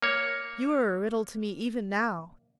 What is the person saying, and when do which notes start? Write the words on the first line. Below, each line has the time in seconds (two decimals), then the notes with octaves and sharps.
You are a riddle to me even now.
0.02 A#3 C#5